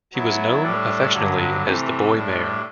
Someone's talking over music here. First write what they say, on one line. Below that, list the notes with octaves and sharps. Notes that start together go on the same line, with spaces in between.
He was known affectionately as the "Boy Mayor".
F#3 B3 E4
A2 G3 D4 A4
G2 D3 F#3
C3 E3 A3
A2 G3 D4